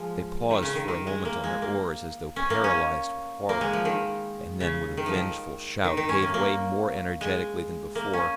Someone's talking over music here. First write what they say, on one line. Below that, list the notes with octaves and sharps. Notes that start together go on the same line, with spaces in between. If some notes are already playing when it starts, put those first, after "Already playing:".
They paused for a moment on their oars as though paralysed with horror; and then with a vengeful shout gave way more energetically than before.
Already playing: F3 G#3
D#3
C#3
D#3
D#3
G#3
A#3
G#3
A#3
C#4
A#3
C#4
A#3
G#3
F3
D#3
C#3
D#3
F3
D#3
D#3
D#3
C#4
A#3
A#3
G#3
A#3
C#4